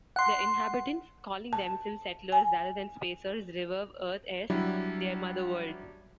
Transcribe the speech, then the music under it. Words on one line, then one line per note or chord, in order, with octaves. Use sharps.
Their inhabitants, calling themselves "Settlers" rather than "Spacers", revere Earth as their mother-world.
F#5 C6
A5
G#5
F#3 G3 D4 E4